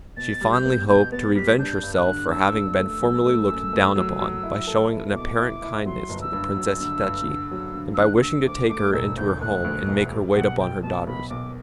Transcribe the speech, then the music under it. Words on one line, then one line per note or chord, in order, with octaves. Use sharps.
She fondly hoped to revenge herself for having been formerly looked down upon, by showing an apparent kindness to the Princess Hitachi, and by wishing to take her into her home, and make her wait upon her daughters.
B2 A6
G3
G6
B3
B2 G6
B3 A6
G3 B6
D4 G6
G2
F#6
D3
D4 E6
D4
A3
F#3
A3
F#2
A3
F#3
F#3
E4
A4
E4
B2 D6
E4
E4
F#3 C6
G1
E6
G2
F#3
D3
G2
D3
F#3
D3
E6
D3 F#6
F#6
D3 E6
D2 D6
A3 D6
E1 E6
D2 G6
A3 F#6
D2
E1
G3
B1 F#5
B1 G5
B2 A5
B1 B5
B1 D6